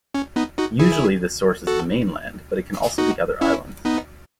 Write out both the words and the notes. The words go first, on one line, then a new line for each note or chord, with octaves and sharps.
Usually this source is the mainland, but it can also be other islands.
C#4
B3 D#4
D#4 F#4
E4 G#4
F#4 A4
D#4 F#4
C#4 E4
B3 D#4